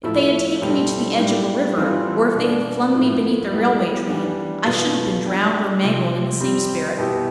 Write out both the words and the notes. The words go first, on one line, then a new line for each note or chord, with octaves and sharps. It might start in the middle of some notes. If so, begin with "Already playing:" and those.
If they had taken me to the edge of a river, or if they had flung me beneath a railway train, I should have been drowned or mangled in the same spirit.
A2 F3 A3 E4
B2 G3 C4 E4 A4
A2 G3 D4 G4
E3 G3 C4 F4 A4
B2 B3 D4
A2 F3 B3
G3 B3 E4
E3 G3 D4
B2 B3 F4 A4
G3 D4 G4
C3 F3 C4
G3 C4 G4
B2 B3 E4 G4